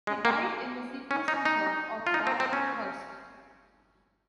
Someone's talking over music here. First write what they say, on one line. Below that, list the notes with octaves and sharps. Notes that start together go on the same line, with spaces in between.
He died in the Sydney suburb of Darlinghurst.
G#3
A#3
C#4
D#4
D#4
F4
D#4
C4
C4
C#4